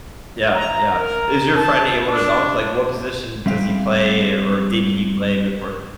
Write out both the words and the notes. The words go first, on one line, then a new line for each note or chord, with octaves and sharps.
Yeah, yeah. Is your friend able to dunk? Like, what position does he play, or did he play before
A#5
A#4
A5
D4
G3 C4 E5 F5 G5